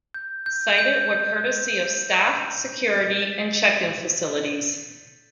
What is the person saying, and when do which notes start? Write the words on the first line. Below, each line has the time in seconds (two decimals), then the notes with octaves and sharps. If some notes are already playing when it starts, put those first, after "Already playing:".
Cited were courtesy of staff, security, and check-in facilities.
0.14 G6
0.46 G6
0.78 G6
3.22 A6
3.33 B6